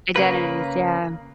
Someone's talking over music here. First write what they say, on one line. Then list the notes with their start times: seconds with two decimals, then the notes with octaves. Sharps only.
Identities, yeah.
0.16 C#3 A#3 B4